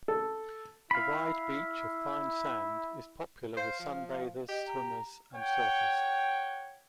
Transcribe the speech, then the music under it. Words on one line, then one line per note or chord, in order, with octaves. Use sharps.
The wide beach of fine sand is popular with sunbathers, swimmers and surfers.
A4
E4 F5 B5
C5 F5
F3
G4 D#5
A#5
C#5 F#5 G5